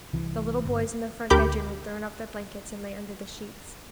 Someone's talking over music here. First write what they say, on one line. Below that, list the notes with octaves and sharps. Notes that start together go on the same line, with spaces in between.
The little boys in the front bedroom had thrown off their blankets and lay under the sheets.
C2 E3
G1
D2 G4 A#4 B5 D6 G6